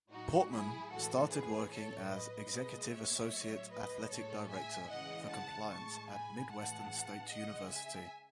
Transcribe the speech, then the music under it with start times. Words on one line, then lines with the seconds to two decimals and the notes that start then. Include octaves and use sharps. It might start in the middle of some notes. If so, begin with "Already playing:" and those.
Portmann started working as Executive Associate Athletic Director for Compliance at Midwestern State University.
0.11 A2 F#3 D#4 F#4
0.51 E4 G#4
0.91 A2 E3 G#3 F#4 A4
1.31 G#4 B4
1.70 A2 F#3 A4 C#5
2.10 B4 D#5
2.50 B2 G#3 B4 D#5
2.90 C#5 E5
3.30 A2 F#3
3.70 B4 D#5
4.10 A2 G#3 A4 C#5
4.50 E5 G#5
4.90 C#3 E3 G#3 D#5 F#5
5.30 F#5 A5
5.69 A2 G#3 A5 C#6
6.10 G#5 B5
6.50 A2 E3 G#3 F#5 A5
7.29 C#3 G#3 D#5 F#5
7.69 E5 G#5